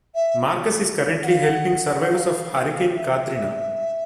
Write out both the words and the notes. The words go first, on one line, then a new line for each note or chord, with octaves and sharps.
Markus is currently helping survivors of Hurricane Katrina.
E5
F#5
F5
F#5
F#5
F5
E5